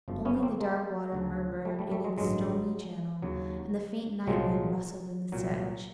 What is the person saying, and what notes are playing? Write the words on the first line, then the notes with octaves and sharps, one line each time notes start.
Only the dark water murmured in its stony channel, and the faint night-wind rustled in the sedge.
G1 F#2 C#3 F3
B3 C#4
A#3 C4
G#3 A#3
D2 C#3 F3
G3 A3
G3 A3
G3 A3
F#3 G#3
A1 G2 D3 F#3 G#3
D#2 C#3 F#3
C2 A#2 F3 F#3 G#3
C2 A#2 F#3